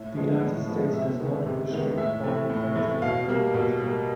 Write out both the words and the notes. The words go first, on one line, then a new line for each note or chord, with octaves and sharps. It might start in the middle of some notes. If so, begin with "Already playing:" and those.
The United States does not restrict foreign content broadcasting.
Already playing: A2 E5
F3 G#3 B3
A2
F3 G#3 B3
C3 E5
D#3 G#3 B3
C3
D#3 G#3 B3
A2 E5
E3 A3
A2
E3 A3
B2 F5
G3 A#3
B2
G3 A#3